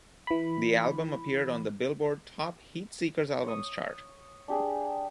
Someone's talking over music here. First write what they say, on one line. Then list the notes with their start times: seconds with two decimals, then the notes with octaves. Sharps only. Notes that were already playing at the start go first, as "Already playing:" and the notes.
The album appeared on the "Billboard" Top Heatseekers Albums Chart.
0.27 E3 B5
3.45 C#5 C#6 D#6
4.48 D4 G4 G#4